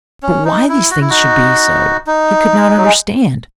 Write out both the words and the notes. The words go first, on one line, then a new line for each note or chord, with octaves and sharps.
But why these things should be so he could not understand.
C#4
D#4
E4
F#4
E4
D#4 F#4
D#4
F#3
G#3